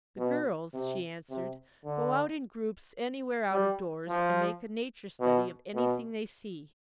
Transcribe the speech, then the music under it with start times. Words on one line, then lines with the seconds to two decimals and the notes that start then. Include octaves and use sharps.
"The girls," she answered, "go out in groups anywhere out of doors, and make a Nature Study of anything they see."
0.18 B2
0.74 C3
1.30 C3
1.85 D3
3.52 G3
4.09 F3
5.20 B2
5.75 B2